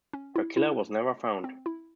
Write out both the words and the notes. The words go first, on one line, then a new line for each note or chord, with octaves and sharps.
Her killer was never found.
C#4
E4
E4
C4
E4